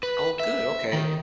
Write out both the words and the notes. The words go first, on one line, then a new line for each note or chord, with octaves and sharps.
Oh, good. Okay.
B4
E5
D#3